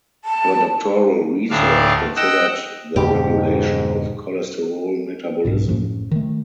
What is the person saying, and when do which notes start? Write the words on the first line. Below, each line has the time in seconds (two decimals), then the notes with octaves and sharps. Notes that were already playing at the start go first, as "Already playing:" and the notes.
Her doctoral research considered the regulation of cholesterol metabolism.
0.24 A5
1.50 D2 A2 D4 F5
2.16 D#5 F#5 G5 E6
2.96 F2 G#2 B2 D3 G4
5.45 B1 G#2 B2
5.68 F#2 A2 F3
6.11 D#3 A3